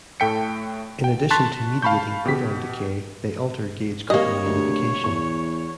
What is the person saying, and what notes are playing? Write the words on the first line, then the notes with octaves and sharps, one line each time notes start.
In addition to mediating proton decay, they alter gauge coupling unification.
A2 A3 A4 G5 B6 C#7
G5
A5 C6 C#6 F#6 A6 B6
F5 A5 B5 C#6 G6
B2 G4 B6
C3 G3 A#3 C#5 D#5
D2
E2 C#6